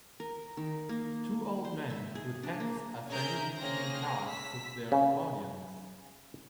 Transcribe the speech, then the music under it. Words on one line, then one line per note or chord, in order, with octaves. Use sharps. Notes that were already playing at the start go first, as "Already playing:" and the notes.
Two old men with hats are standing in between cars with their accordions.
A#4
D#3
A#3
C5
E5
G#4
D4
A#3
C#4 G#4 A#4 E5 A#5 G6
A#3 C4 C#4 G#4 F6 A#6
E6 B6
C#3